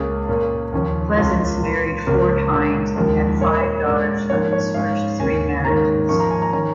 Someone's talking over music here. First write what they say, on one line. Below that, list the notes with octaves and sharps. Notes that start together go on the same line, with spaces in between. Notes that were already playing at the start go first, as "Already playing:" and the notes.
Pleasence married four times and had five daughters from his first three marriages.
Already playing: C#2 C#3 A#3 C#4 G#4
A#2 A#3 C#4
D#2 C#3 F3 C#4
C#2 C#3 G#3 C#4 F4
A#2 A#3 C#4
C#2 C#3 A#3 C#4 A#4
A#2 G#3 C#4
D#2 C#3 F3 G#3 A#4
A#2 A#3 C#4 C#5
D#5
C#5
A#2 G#3 C#4 A#4
G#2 F3 A#3 C#4 C#5
C#5
G#2 G#3 C#4 F5
D#2 C#3 A#3 C#4 G#5
G#2 D#3 A#3 C#4 A#5
G#2 F3 A#3 C#4 C#6
A#5
G#5
A#5
D#3 C#4 A#5